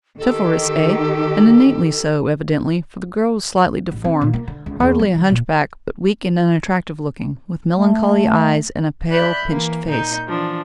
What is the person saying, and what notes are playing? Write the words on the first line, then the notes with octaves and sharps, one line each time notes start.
Chivalrous--eh?--and innately so, evidently, for the girl was slightly deformed: hardly a hunchback, but weak and unattractive-looking, with melancholy eyes, and a pale, pinched face.
D#3 D#4 G4 A4
A1
C4
A#2
A#3
D3
C#2
E2
F#3
D#3
A#2
A3
D5 E5 B5 F#6 G6
E3 A#3
A#2 D#4 G6
E3 F3 D4